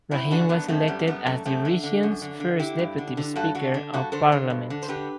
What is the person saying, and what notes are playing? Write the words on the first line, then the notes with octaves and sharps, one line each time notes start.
Rahim was elected as the region's first deputy speaker of parliament.
F#2 C4 E4
D3 D4 F#4
F#2 B3 D4
F#2 A3 C4
F#2 G3 B3
C4
F#2 G3 B3
F#2 A3
F#2 A3 C4
D3
D3
F#2
D3
D3
D3 E4 G4
G2
D3
D3
G2 F#4 A4
D3 F#4 A4
D3
G2 F#4 A4
D3 A4 C5
D3
G2
D3
C5
D3 G4 B4